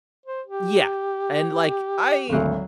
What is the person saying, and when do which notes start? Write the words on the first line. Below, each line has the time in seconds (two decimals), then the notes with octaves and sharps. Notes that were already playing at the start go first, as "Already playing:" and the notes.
Yeah. And, like, I
0.26 C5
0.47 G4
2.29 G#1 D2 F#3